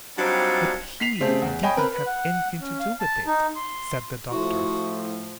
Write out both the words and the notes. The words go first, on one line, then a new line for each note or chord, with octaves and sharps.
"But HE didn't have anything to do with it," said the Doctor.
F#3 G3 C4 D4 D#4 F4
B6 C7 F7
C#3 G3 A3 C4 G#4 C5
E2
C#5 D#5 G5 G#5 B5
C4 A#4 B4
B4
F#5
C#4
F5
A5
D#4
C6
A2 F3 E4 F#4 E5 C6